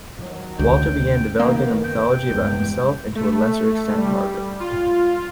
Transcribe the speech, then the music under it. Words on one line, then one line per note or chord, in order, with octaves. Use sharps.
Walter began developing a mythology about himself and to a lesser extent Margaret.
D#3 F#3
D2 C#4 G5
F#2 D#3 A#3 B3
G5
E2 G2 G3 G#3 B3
A3
G3
F4